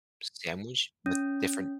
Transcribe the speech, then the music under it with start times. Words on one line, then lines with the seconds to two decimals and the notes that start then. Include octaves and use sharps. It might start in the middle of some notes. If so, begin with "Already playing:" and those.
s sandwich with different
1.06 C#4